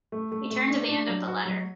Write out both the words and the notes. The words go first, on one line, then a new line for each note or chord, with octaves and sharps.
He turned to the end of the letter.
A3
A3
A3
D4
D4
F#3
F#4
F#3